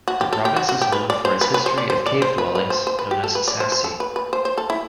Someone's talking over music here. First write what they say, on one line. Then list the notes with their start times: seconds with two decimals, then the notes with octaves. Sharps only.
The province is known for its history of "cave dwellings" known as "sassi".
0.08 F#4
0.21 G4
0.33 A4
0.45 G4
0.56 F#4
0.69 F#4
0.81 G4
0.92 B4
1.10 D5
1.25 C5
1.41 B4
1.54 B4
1.66 C5
1.78 D5
1.90 C5
2.06 D5
2.22 C5
2.38 B4
2.55 B4
2.70 C5
2.87 C5
2.99 B4
3.11 G4
3.24 A4
3.35 B4
3.48 D5
3.60 C5
3.72 C5
3.84 A4
4.00 B4
4.16 B4
4.33 C5
4.45 C5
4.58 A4
4.70 E4